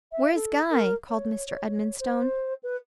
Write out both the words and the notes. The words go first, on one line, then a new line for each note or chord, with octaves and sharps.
Where's Guy?' called Mr. Edmonstone.
E5
A4
A#4
C#5
C#5
C5
B4